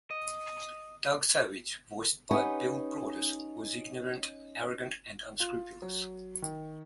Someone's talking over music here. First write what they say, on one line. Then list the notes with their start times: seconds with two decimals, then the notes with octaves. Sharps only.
Doug Savage, voiced by Bill Braudis, was ignorant, arrogant and unscrupulous.
0.11 D#5
2.31 C#4 D#4 G4 B4 F#5 G#5
5.40 F4
5.82 F#3
6.42 D#3